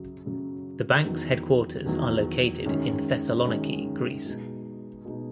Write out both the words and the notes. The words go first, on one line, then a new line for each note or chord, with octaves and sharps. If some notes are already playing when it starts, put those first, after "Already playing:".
The bank's headquarters are located in Thessaloniki, Greece.
Already playing: F#2 C#3 F#3
F#2 C#3 F#3
E2 D#3 F#3
E2 D#3 F#3
F#2 D#3 G#3 C#4
F#2 D#3 G#3 C#4
B2 G#3 D#4
B2 G#3 D#4